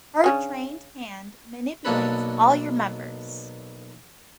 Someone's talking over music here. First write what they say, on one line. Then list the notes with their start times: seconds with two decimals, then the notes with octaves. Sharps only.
Her trained hand manipulates all your members.
0.24 C#3 C#4 D4
1.85 B1 B2 A#3 D4 A4 B4